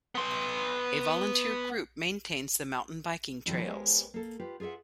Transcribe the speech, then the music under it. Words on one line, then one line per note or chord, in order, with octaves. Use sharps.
A volunteer group maintains the mountain biking trails.
B3 C6
D3 D#3 F3 G3 E4
G#3 B3 G4 A#4 C5 C#5
A#3 A4
F4 G4 B4
F4 G#4 A4 E5 F#5